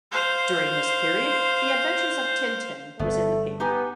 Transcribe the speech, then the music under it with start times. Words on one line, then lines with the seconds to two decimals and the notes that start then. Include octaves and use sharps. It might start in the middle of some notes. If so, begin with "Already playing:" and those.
During this period "The Adventures of Tintin" was in the paper.
0.12 C5 F5
2.99 G1 A3 B3
3.60 B3 D#4 G4 G#5